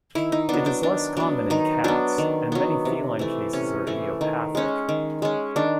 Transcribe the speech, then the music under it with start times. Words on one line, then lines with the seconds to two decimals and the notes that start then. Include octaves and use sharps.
It is less common in cats, and many feline cases are idiopathic.
0.15 D#3 E4
0.32 D#4
0.49 F#3 B3 D4
0.66 D4
0.83 D#3 D4
1.17 F#3 B3 D4
1.50 D#3 D#4
1.84 F#3 B3 D4
2.18 D#3
2.52 F#3 B3
2.85 C3
3.19 E3 A3
3.53 C3 C#4
3.87 E3 A3
4.21 D#3
4.55 G#3 C#4
4.89 D#3
5.22 G#3 C#4
5.56 D#3 D4